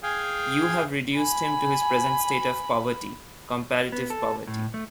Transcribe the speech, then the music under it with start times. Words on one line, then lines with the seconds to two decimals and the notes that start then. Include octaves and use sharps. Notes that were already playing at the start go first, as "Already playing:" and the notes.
You have reduced him to his present state of poverty — comparative poverty.
0.03 G#4 F5 G5 G#5
1.16 G#5 B5
3.92 B3
4.10 A4
4.47 A2
4.74 A3